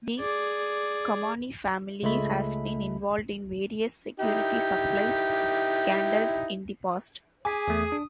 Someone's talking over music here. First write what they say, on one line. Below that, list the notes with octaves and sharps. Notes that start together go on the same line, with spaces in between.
The Kamani family has been involved in various security supplies scandals in the past.
G#4 D5
C#2 G#3 A3 B5
D#4 E4 G4
G#4 G#5 D6 B6
E2 A3 D#6
D4